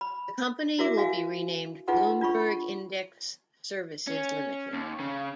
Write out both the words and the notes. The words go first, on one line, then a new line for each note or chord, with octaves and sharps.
The company will be renamed Bloomberg Index Services Limited.
B5
E4 F#4 A#4 E5 D6
F#4 F5 G#5
D#4 F4 G#4 B4 F#5 C6
D4 F4 B5 C#6
C#4
D#2
C#3